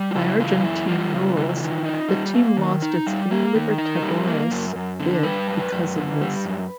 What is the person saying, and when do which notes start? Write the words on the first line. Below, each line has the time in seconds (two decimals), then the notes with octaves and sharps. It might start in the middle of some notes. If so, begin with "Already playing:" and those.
By Argentine rules, the team lost its Libertadores bid because of this.
Already playing: G3
0.11 F4
0.15 C#3 E4
0.40 E3 F4
0.64 F#2 E4
0.88 G3 F4
1.13 C#3
1.37 E3
1.60 D#3
1.86 D#4
2.09 G3
2.34 A#3
2.57 D#3
2.82 D#4
3.07 G3
3.31 A#3
3.55 D#3
3.78 D#4 A#4
4.03 G3
4.27 A#3
4.51 F#2
4.76 F#2
5.00 D3
5.23 G3 B4
5.48 F#2
5.72 F#2
5.97 D3
6.21 G3
6.46 F#2